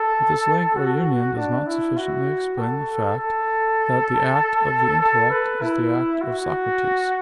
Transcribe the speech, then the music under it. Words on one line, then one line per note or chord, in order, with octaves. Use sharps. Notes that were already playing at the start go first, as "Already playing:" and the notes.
But this link or union does not sufficiently explain the fact, that the act of the intellect is the act of Socrates.
Already playing: A4
F#4
D4
E4
F#4
A4
A4
A4
B4
E4
F#4